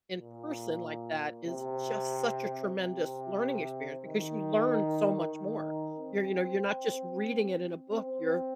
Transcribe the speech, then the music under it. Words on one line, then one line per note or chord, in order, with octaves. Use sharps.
in person like that is just such a tremendous learning experience because you learn so much more. You're you know, you're not just reading it in a book, you're
A#2
C3
C3
D#3
D#3
C4
C4